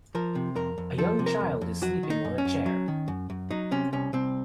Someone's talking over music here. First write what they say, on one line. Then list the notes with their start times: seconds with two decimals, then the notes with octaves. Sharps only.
A young child is sleeping on a chair.
0.15 F3 A#4
0.35 C3
0.56 F2 A#4
0.78 F2
0.98 F3 A4
1.19 C3
1.26 A#4
1.40 F2
1.61 F2
1.82 F#3 F#4
2.03 D#3
2.10 D#4
2.25 F#2
2.38 C#4
2.45 F#2
2.66 F#3
2.88 D#3
3.08 F#2
3.30 F#2
3.51 F#3 D#4
3.71 C3 C#4
3.93 C2 C#4
4.13 C2 C4